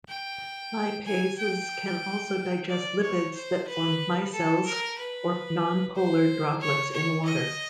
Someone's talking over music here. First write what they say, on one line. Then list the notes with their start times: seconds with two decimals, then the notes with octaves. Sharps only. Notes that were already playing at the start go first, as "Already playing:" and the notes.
Lipases can also digest lipids that form micelles or nonpolar droplets in water.
0.08 G5
1.05 G#5
1.38 G5
2.68 D5
3.02 C#5
3.34 C5
3.67 B4
4.32 A4
4.65 A#4
4.98 B4
5.95 C5
6.60 C#5
6.93 C#5
7.25 D#5